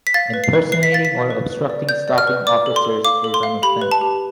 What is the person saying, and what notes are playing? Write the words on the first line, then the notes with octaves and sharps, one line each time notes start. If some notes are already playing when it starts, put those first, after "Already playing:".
Impersonating or obstructing stopping officers is an offence.
B6
F5 A6
B4
C7
B4
B4 C7
B6
F5 A6
B6
F5
B4
B4
D5
D5 G6
D5
F6
B4
D5 D6
A4
C6
A4
F5 D6
A4
C6
F5
G4 B5
B4
A5
G4